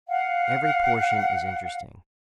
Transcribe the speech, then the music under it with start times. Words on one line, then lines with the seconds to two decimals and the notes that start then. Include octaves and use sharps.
Every portion is interesting.
0.08 F5 F#5